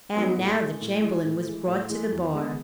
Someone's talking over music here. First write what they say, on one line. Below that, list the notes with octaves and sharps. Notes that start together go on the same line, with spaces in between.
And now the Chamberlain was brought to the bar.
F#3 B3 D#4
A2
E3 G#3
A2
E3 G#3
A2
E3 G#3
A2
E3 G#3
E2
D#3 G#3 B3 D#4